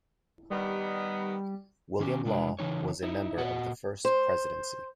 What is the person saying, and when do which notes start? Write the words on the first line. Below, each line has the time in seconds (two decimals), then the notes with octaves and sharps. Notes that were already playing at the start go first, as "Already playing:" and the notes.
William Law was a member of the First Presidency.
0.50 D#3 G3 B3
2.00 D#3 C#4 G4
2.25 C3 G#3 D4
2.59 C#3 E3 D#4 C#5
3.03 D#4 E4
3.37 A#2 F#4 D#5 F#5
4.05 C5